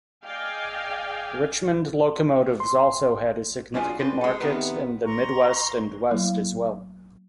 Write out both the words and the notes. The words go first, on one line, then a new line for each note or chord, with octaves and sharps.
Richmond locomotives also had a significant market in the Midwest and West as well.
G#4 D5 D#5 F5 G5 G#5
C6
G3 C#4 D4 F4 F#4 G#4
C4 D4 B4 C5
G#3 A4
C3 D#3 B3 C4 A#4 B4
A#5 C6 C#6
F#3 A3 A#3 E4